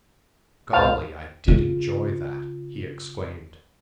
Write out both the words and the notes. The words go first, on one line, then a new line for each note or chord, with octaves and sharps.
"Golly, I did enjoy that," he exclaimed.
C#2 C5 F5 A5
C#3 F4